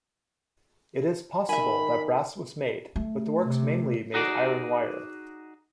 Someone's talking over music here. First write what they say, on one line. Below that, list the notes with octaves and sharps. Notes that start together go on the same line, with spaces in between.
It is possible that brass was made, but the works mainly made iron wire.
D#3 E5 G#5 B5
A3
C3
D#4 F#4 G#4 D5